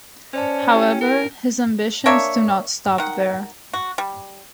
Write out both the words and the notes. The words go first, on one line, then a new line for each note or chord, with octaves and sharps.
However, his ambitions do not stop there.
C#4 C5 D5 A5
E4 G4 G5
A#4
A#3 D4 C#5 E5
D#3 F#5
F#4
G3